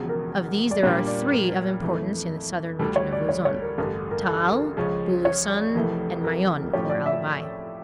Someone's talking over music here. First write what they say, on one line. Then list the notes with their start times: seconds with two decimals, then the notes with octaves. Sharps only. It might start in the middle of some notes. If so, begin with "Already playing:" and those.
Of these there are three of importance in the southern region of Luzon--Taal, Bulusan and Mayon or Albay.
Already playing: E1 E2 C#3 F3
0.09 A#4
0.71 D5
0.83 A#2 G3 A#3 D4 G4 C#5
1.07 D5
1.32 A#4
1.81 F2 E3 A3
2.79 D2 D3 G3 A4
2.96 C#5
3.13 D5
3.29 C#5
3.45 C#5
3.62 A#4
3.78 A1 G2 D3 A#4
4.11 A#4
4.27 A4
4.52 A#4
4.76 C#2 C#3 F3 C#4
5.25 C#5
5.50 D5
5.75 F1 F2 E3 A3 A#4
6.24 A#4
6.73 A2 F3 C#4 G4 C#5
6.90 D5
7.06 E5